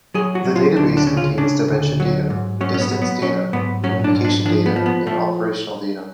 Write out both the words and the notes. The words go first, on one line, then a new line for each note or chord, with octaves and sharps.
The database contains dimension data, distance data, communication data and operational data.
F#3 G#4
F#4
F#3
F4
D2 D4
D4
C#3
F4
C#3 D4
D2
F#3
G#2
F#3 C#4
C#4
B3
F#3
B3
F#3 C#4
G#2 B3
F#3 C#4
D4
G#2
D4
F3 D4
B3
F3
B3
F3 A3